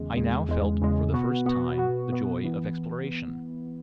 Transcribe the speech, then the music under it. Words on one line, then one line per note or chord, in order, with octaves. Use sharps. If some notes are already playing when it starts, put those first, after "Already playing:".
I now felt for the first time the joy of exploration.
Already playing: E2 C#3 G#3
E2 C#3 G#3
E2 C#3 G#3
E2 C#3 G#3
B2 B3 F#4
B2 B3 F#4
B2 B3 F#4
B2 B3 F#4
E3 B3